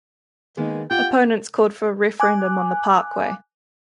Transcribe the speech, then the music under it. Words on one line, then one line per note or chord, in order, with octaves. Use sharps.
Opponents called for a referendum on the parkway.
D#3 G#3 A#3 B3
F4 G4 F#5 G5
G#5 D6 F#6